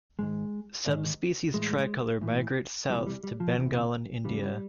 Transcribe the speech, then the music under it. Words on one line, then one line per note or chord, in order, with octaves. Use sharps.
Subspecies "tricolor" migrates south to Bengal in India.
G#2 D#3 G#3
G#2 D#3
A2 E3 G#3
A2 E3
E2 C3 E3 G3
G3
G3
F3
E2 C3 E3
E2 C#3 E3 G3